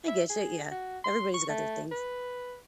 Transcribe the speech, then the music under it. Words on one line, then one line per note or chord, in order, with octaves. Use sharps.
I get you, yeah. Everybody's got their things.
E5
G#4
F#4
C6
C#6
A3
B4